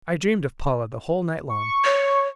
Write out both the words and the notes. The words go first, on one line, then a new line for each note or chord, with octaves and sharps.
I dreamed of Paula the whole night long.
C#6
C#5